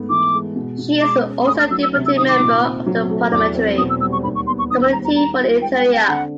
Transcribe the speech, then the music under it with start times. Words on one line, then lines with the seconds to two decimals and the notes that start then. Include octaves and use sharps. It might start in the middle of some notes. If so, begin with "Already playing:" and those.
She is also a deputy member of the parliamentary Committee for the Interior.
Already playing: G#2 A3 B3
0.10 E3 D6
0.33 G#3
0.56 B2
0.78 B2
1.02 G#3 D6
1.25 C#4
1.47 D2 D#6
1.59 F6
1.71 F#3 E6
1.83 E6
1.93 C3 F6
2.06 E6
2.17 D#3 D#6
2.29 D6
2.40 A#2
2.63 C4
2.86 F#3
3.09 A3
3.31 E2 D6
3.55 C4
3.78 B2 D#6
3.90 E6
4.01 G3 E6
4.13 C#6
4.23 D#2 B5
4.35 C#6
4.47 B3 C6
4.59 C#6
4.70 D#3 D#6
4.82 E6
4.93 G3 A#5
5.05 A#5
5.16 D#3 A#5
5.39 F4
5.62 G#3 G5
5.77 G5
5.85 C4
5.93 G5
6.08 D3 F#5